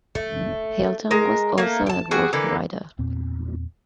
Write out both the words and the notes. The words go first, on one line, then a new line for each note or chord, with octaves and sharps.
Hilton was also a golf writer.
A3
G#3 A#4
A3 A#3
G5 A5
G3 F#4 G#4
D3 E3 A#3 B4
E2 A#2 C4